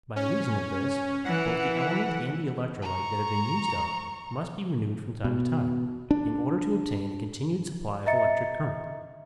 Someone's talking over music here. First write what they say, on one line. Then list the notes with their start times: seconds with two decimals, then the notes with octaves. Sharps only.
By reason of this, both the element and the electrolyte that have been used up must be renewed from time to time, in order to obtain a continued supply of electric current.
0.16 C#4
1.25 E3 F#5
2.82 A#5 C#6
5.24 B2
6.11 D4
8.06 D#5 E5 A#5 A6 C#7